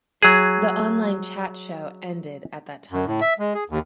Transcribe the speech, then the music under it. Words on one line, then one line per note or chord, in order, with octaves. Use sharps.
The online chat show ended at that time.
F#3 G#4
F#2
A2
E5
G#3
G#4
D#2